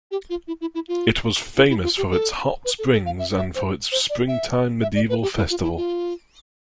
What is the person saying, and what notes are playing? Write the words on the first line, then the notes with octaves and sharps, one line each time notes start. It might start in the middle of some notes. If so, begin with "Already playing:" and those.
It was famous for its hot springs and for its springtime medieval festival.
G4
F4
E4
E4
E4
F4
E4
E4
F4
G4
A4
B4
A4
A4
F5
E5
E5
C5
C5
D5
E5
E5
D5
B4
G4
E4
F4
E4
F4